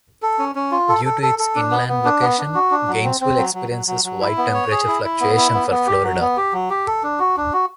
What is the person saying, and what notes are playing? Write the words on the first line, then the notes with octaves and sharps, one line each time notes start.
Due to its inland location, Gainesville experiences wide temperature fluctuation for Florida.
A4
C#4
C#4
F4
A4
A4
A4
A4
D4
B3
B3
D4
B3
D4
F#4
D4
F#3
C4
C4
F#3
F#3
F#3
F#3
F#3
E4
B3
C#5
G#4
E4
E4
B3
E4
B3
B3
G4
F#3
B3
G4
F#3
G4
A4
D4
F#4
D4
F#4